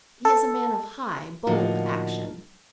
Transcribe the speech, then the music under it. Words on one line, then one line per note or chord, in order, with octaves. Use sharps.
He is a man of high, bold action.
A4
A2 D3 F3 A#3 D#4 F#4